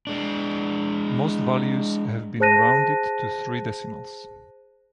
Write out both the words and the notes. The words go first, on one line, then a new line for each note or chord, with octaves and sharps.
Most values have been rounded to three decimals.
G#3 D4
G#4 C5 A5 F#6 A#6 D#7